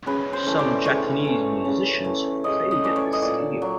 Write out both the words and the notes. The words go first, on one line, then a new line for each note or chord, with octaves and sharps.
Some Japanese musicians have played at this stadium.
C#3 B4
C5
E3 A3
D5
C#3 C#5
E3 A3
C#3
E3 A3
C#3 D#5
D#5
E3 A3 D5
C#5
D#5
A#2 D5
F#3